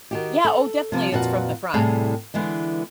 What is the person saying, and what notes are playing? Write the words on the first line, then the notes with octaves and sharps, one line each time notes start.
Yeah, oh, definitely, it's from the front.
D#3 F#4 G4
A4
C3 F3
F2 A#2 F4 F#4 B4 F#5
A2 C3 G3 G#4 A4
D3 E3 G#3 B3